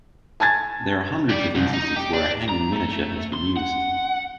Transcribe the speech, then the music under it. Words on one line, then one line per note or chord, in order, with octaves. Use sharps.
There are hundreds of instances where a hanging miniature has been used.
G#5 A5 G#6 A6
G3 D5
C2
D#4
G4
D4
A#5
A3
C6
F#5